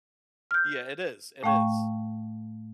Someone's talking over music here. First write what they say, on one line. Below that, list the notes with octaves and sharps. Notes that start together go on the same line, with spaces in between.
Yeah, it is, it is,
F6 G6
A2 A3 F5 G5 C#6